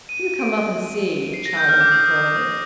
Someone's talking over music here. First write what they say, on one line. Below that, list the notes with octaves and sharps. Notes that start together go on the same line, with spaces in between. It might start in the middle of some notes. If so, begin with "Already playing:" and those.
"You come up and see," Charlie retorted.
D#7
D#7
D7
C7
A#6
G6
F6
D6
D#6
D#6
D#6